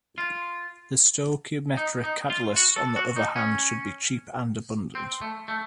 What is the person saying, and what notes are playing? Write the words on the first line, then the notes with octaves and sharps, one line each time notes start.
The stoichiometric catalyst on the other hand should be cheap and abundant.
F4
D#4
D#4
F4
F#4
A4
F#4
D#4
C#4
C4
A3
A3